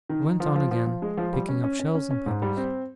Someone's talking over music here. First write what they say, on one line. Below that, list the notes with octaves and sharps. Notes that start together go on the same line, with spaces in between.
We went on again, picking up shells and pebbles.
D#3
D#3
F3
F3
F3
F3
G#3
F3
G3
C#4
C#4
C#4
C#4
C#4
G#2
G3
C4